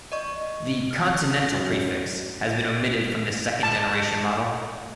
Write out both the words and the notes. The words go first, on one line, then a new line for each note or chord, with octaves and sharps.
The "Continental" prefix has been omitted from this second generation model.
D5 D#5 C#6
F6
F#2
A5